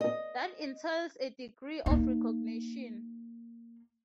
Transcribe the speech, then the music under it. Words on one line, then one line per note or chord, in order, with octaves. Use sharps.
That entails a degree of recognition.
D#5
A#3 D#4